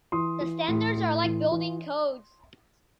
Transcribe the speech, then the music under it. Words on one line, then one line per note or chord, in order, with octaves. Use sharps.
The standards are like building codes.
E3 C6 D#6
E3
A2
A2
E3
E3